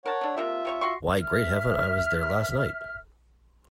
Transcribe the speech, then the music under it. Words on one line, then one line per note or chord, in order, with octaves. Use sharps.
Why, great heaven, I was there last night!
A#4 C#5 F#5 A5
D3 D4
C3 A#3 F4 G4 E5
C3 C#5 C#6
F#4 C6 C#6
E5 F6